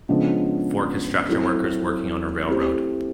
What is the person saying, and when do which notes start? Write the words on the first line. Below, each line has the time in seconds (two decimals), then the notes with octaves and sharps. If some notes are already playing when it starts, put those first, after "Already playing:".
Four construction workers working on a railroad.
0.09 C#3 F3 G#3 B3 D4
1.28 F#3 A3 C4 E4
2.48 A3 C4 E4 G4 C5